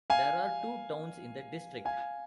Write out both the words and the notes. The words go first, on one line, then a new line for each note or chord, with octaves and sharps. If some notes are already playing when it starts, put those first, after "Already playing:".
There are two towns in the district.
F5 G#5
F5 G#5